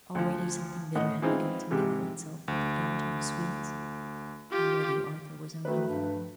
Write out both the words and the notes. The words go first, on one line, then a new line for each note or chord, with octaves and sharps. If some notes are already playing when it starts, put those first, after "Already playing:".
But already something bitter had begun to mingle itself with the fountain of sweets: already Arthur was uncomfortable.
D2 F3
A2 D#5 F#5
E3 G#3 C4 D#4 F4
G#2 C3 G#3 G4
D2
F4 G4
D#3 F#3 A3 B4
G2